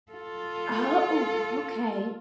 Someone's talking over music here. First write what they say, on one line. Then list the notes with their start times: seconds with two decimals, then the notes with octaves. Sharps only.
Ah, oh, okay.
0.12 F4 A4